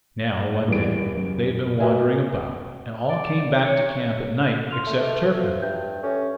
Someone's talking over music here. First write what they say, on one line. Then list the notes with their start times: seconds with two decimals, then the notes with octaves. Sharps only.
Now one day they had been wandering about and all came back to camp at night except Tyrker.
0.68 D#1 E2 D5 D7
1.15 F#1
1.80 F#4 A#4 B4 D#5 E5 G#5
3.09 D5
3.65 C#5
4.71 C6 F6 F7
4.87 A3
4.99 A4 B4 E5
5.40 F3
5.62 G2 E5 G6
6.03 C#4 A4 E5